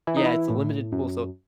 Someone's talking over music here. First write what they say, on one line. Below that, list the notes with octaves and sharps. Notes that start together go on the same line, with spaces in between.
Yeah, it's a limited pool, so
E3 E4
D#4
E4
A2
F#2